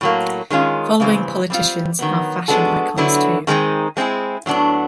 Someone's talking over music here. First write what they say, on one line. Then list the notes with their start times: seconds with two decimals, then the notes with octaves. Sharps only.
Following politicians are fashion icons too.
0.01 A2 F#3 A#3
0.50 D#3 G#3 C#4 F4
1.00 C#3 E3 G3 C4
1.50 G3 C4 F4
1.99 D#3 F#3 B3
2.48 G#3 B3 D4 F#4 A4
2.97 D3 F#3 B3 E4
3.47 D#3 G#3 C4 D#4
3.97 G#3 C4 E4 G#4
4.46 A2 F#3 B3 D4